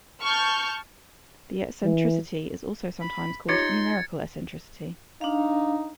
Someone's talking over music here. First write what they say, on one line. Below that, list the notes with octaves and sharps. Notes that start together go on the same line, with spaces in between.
The eccentricity is also sometimes called numerical eccentricity.
A5 C#6 F6 G6
E3
B5
D#4 F4 G4 C#5 C6 G#6 A6 C#7
D4 D#4 F5